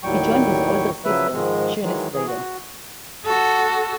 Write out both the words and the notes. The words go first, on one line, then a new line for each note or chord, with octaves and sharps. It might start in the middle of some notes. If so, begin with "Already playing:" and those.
He joined his older sister, Shirley Strader.
D#2 A2 F#3 G3 G5 C#6
C#3 F3 F#3 B4 E5
G#2 D#3 F3 G#3
D#3 E3 F#3 G#3
E3 G#4
F#4
F#4 A4